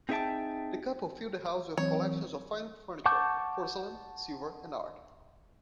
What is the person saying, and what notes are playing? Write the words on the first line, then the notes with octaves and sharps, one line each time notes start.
The couple filled the house with collections of fine furniture, porcelain, silver and art.
C4 D#4 G#4 E5 G5 A5
E3 F#3 C4 C#5
F#5 A5 C#6 D6 G6